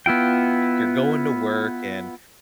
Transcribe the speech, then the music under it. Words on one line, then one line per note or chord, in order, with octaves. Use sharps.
you're going to work and,
B3 E4 F4 G5